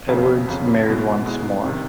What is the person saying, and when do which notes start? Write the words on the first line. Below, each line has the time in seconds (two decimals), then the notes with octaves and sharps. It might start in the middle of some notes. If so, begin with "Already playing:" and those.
Edwards married once more.
0.08 G1 F2 C#3
0.47 G1 F2 C#3
0.86 B2 G#3 B3 E4
1.26 B2 G#3 B3 E4
1.64 C3 D#3